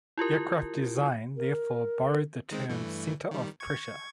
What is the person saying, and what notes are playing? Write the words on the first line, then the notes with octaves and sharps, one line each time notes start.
Aircraft design therefore borrowed the term center of pressure.
E4 F4 G4 A#4
A#4
D#3 G#3 C4
G2 E3 A3
D#3 G3
C#6 G#6